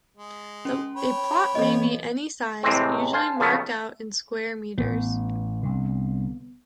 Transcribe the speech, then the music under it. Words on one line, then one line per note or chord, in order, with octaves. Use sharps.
A plot may be any size, usually marked out in square meters.
G#3
C#4
C#5 G5 B5
E3 A#3 A4 D#5
A2 C3 E3 G#3 C4
C5 F5 G#5 A5
C#3 F3 A3 B3
A1 B3
C2 D3